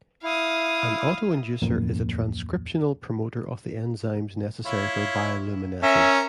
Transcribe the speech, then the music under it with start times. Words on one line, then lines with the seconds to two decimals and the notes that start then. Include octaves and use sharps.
An autoinducer is a transcriptional promoter of the enzymes necessary for bioluminescence.
0.23 E4 F5 D#6
1.62 D1 A1 F2 A#3
4.66 E4 F4 C#5
5.83 C#4 A#4 E5